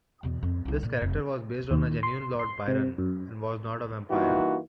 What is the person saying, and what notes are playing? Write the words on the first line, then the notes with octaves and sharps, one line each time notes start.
This character was based on the genuine Lord Byron and was not a vampire.
E2 B2
F2
C2 E4
A#2
F1 F2
D#2
C6
C6
C3
F#2
G2 E3 A#3 D#4 F4 F#4